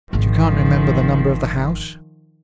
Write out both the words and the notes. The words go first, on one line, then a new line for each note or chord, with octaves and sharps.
"And you can't remember the number of the house?"
G#1 D3 D#3 F3